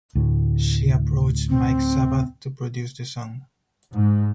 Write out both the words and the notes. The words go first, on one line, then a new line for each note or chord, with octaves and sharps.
She approached Mike Sabath to produce the song.
D2 A2
C4
G#2